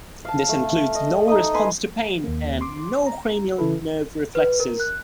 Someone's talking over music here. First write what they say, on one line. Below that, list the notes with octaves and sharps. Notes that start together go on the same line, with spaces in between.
This includes no response to pain and no cranial nerve reflexes.
F5 A5
A3
D#5
D#4 A4 D#5 D#6
A4 B4 G#5 C6
D#2 A#3
C6 D6
A#5
C#3 E3 E4 A4 B4
B4
A#4
F#6